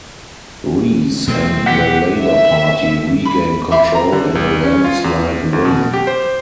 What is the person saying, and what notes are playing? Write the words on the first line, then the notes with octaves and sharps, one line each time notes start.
Reece and the Labor Party regained control in a landslide win.
B2 F#3 A3 C4
G4 F#5 B6
E5
B5
G4 E5 B5 C6
A#5
D3
C2
C#4
F4
E2
D2
B2
G4
C5